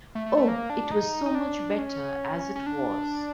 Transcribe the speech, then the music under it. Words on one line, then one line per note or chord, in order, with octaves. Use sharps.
Oh, it was so much better as it was!
A3
A3
A3
A#3
D4
D#4
D#4
D4
C#4
C#4
D4